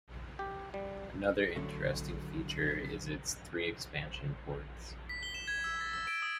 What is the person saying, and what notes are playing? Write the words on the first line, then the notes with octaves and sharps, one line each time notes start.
Another interesting feature is its three expansion ports.
G4
G3
D3 F#3 A3
B6
G7
E7
G#6
E6
A6
E6
D7
D#6